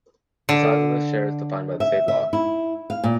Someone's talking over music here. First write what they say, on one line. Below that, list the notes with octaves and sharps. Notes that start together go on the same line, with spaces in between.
The size of this share is defined by the state law.
D3
E5
E5
E4
F5
A#2